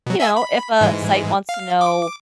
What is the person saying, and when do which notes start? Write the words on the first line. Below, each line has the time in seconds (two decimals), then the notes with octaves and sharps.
you know, if a site wants to know,
0.06 B2 F#3
0.20 E5 G#5 E6
0.36 B5
0.81 G#2 E3 G#3
1.49 F5
1.81 D6